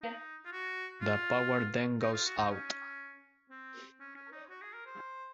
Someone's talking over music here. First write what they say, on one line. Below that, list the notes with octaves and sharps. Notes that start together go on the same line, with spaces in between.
The power then goes out.
D#4
F4
F#4
F4
D#4
F4
F#4
D#4
C#4
C4
C#4
C#4
D#4
F#4
G#4
A#4
C5